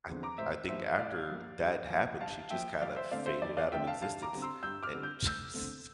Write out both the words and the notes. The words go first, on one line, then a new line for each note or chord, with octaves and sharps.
I I think after that happened, she just kind of faded out of existence and just,
E2 D3 F3 C4
A#5 D6
A1 C5 E5
G2 F3 A#3 C5 E5
A1 D5 F5
G2 F3 A#3
G2
F3 A#3
G2 F5 A5
F3 A#3 E5 G5
F2 D5 F5
C5 E5
D3 A3 C4 D5 F5
C5 E5
F2 D5
D5 F5
D3 A3 C4 E5 G5
F5 A5
G2 F5 A5
A#5 D6
D3 G3 C4
C6 E6
G2 E6 G6
D6 F6
D3 G3 C4
G6
D2 E6 G6
D3 A3 C4